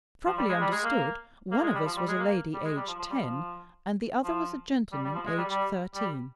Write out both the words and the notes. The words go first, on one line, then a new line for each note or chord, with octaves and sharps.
Properly understood, one of us was a lady aged ten, and the other was a gentleman aged thirteen.
F3
G3
G#3
G3
G#3
A#3
A#3
G#3
G3
F3
G3
G#3
A#3
G3
G#3
G3
F3
F3
G3
F3
F3
G3
G3
F3
G#3
G3
G3
G3